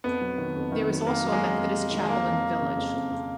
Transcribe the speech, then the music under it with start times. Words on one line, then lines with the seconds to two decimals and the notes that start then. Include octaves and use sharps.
There is also a Methodist chapel in the village.
0.04 F2 B3
0.21 F#3
0.38 D#3
0.56 F2
0.72 D#3
0.89 F#3
1.06 F2 A#3
1.24 F#3
1.32 G#3
1.40 F2
1.58 F2
1.74 F#3
1.91 D#3
2.03 G#3
2.09 F2 A#3
2.27 F2
2.42 F#3
2.60 C#3
2.77 F2
2.94 F2
3.11 F2